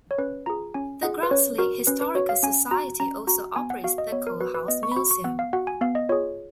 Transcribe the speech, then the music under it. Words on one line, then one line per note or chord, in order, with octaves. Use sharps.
The Grass Lake Historical Society also operates the Coe House Museum.
C#5
C#4 B4
F4 G#4 A#5
C#4 G#5
F4 G#4 F#5
B4
C#4 C#5
F#4 A#4
C#4 B4
B4
F#4 C#5
F5
C#4 G#5
F#4 A#5
C#4 A#5
F#4 A#5
B3 G#5
F#5
F#4 F5
D#5
B3 C#5
A#4
F#4 B4
B4
B3 D#5
C#6
B5
F#4 C#6
C#6
B3 F#5
F5
F#4 F#5
G#5
B3 F5
D#5
F4 G#4 C#5